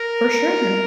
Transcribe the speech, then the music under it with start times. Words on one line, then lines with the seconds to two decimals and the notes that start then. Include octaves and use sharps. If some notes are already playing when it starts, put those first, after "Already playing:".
For sure.
Already playing: A#4